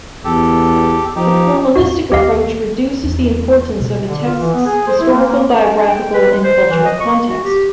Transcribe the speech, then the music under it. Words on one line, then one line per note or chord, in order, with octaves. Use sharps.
The formalistic approach reduces the importance of a text's historical, biographical, and cultural context.
E2 G4 A4
F3 D#4 G4
E2 A2 F#4
D#2 G4 D#5 F5
E2 E3
B2 G#3
D3
F4
E3
B3
G#4
C5
E4
A#3
A#3
C#4
D4
G5
B4
G#3
C5
E3
D#5
C#6
F#4
G4